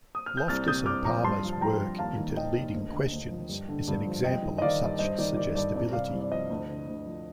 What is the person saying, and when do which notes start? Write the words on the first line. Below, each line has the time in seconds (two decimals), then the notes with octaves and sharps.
Loftus and Palmer's work into leading questions is an example of such suggestibility.
0.15 D#6
0.26 F6
0.37 G6
0.48 C2 F6 A6
0.68 C3 D#6 G6
0.86 C2 D6 F6
1.05 F3 A#5 D6
1.24 G2 A5 C6
1.43 F3
1.53 A5
1.61 F3 G5 A#5
1.80 G2
1.99 D#2 F5 A5
2.18 D#3
2.37 D#3 D#5 G5
2.56 D#2
2.74 D2
2.93 D3
3.12 D2
3.30 F3
3.49 G2
3.69 D3
3.87 G2
4.06 F3
4.24 G2 D#5 G5
4.43 D#3
4.58 D#5
4.62 D#3 D5 F5
4.81 G2
4.99 G2 C5 D#5
5.18 D#3 D5
5.36 D#3 D5
5.55 G2 D5
5.74 C2 D5
5.93 C3 D5 F5
6.13 C2
6.21 D5
6.30 F3 C5 D#5
6.50 D2
6.68 D3
6.87 D2
7.06 F3